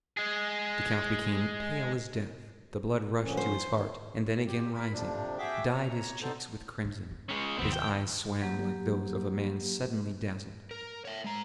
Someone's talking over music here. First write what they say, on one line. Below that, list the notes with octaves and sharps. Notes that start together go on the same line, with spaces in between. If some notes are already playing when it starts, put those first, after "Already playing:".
The count became pale as death, the blood rushed to his heart, and then again rising, dyed his cheeks with crimson; his eyes swam like those of a man suddenly dazzled.
G#3 G#4
D3 F3 C#4
C5
D#3 E3
G4
A#4 B5
F2 C3 F3 D4
F#4 G#4 E5 G5 D6
C#5 A#5
D3 B3 D#4 A4 C5
G#2
B3
G#3 C#4
D#2 C3 B3 C4
G5
F#3 A#3 G4
A#4
C#5 E5
G#3 A#5